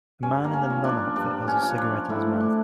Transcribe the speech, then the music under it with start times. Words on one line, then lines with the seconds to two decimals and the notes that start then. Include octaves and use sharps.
A man in a nun outfit has a cigarette in his mouth.
0.23 G2 C#4
0.44 A#3
0.53 C#4
0.70 F3
0.85 D4
1.16 G2 D4
1.48 C#4
1.62 F3
1.78 D4
2.09 A2 E4
2.40 D4